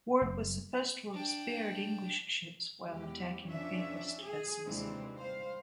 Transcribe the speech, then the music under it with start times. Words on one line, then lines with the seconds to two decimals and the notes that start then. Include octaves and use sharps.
Ward was supposed to have spared English ships while attacking "papist" vessels.
0.21 F#1
1.14 D4 G5
2.89 E2 G#3 G4
3.47 F2 C#4 D4 E5
4.23 G#4
4.65 D#2 C3 E3 G#3 C4 D4
5.18 G3 C5 F5